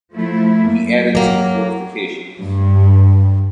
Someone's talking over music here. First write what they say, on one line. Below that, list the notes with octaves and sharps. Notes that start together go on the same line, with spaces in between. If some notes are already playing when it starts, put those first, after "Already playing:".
He added to the fortifications.
F3 A3 E4
F#2 A#3
F#3 A#3 G5 D6
G2